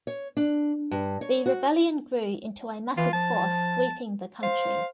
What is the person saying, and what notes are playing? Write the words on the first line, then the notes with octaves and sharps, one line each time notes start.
The rebellion grew into a massive force sweeping the country.
C#5
D4
G2
C#5
F#4
E3 F4
F3 A5
C5 F5